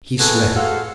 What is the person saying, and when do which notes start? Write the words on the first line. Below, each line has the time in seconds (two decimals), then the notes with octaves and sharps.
He slept.
0.18 E3 G#3 F#4 A4
0.55 G#3 F#4 A4 F5